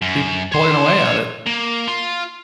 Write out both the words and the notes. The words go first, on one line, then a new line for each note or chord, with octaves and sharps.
keep plugging away at it.
F#2
C#5 C6
A#3
F4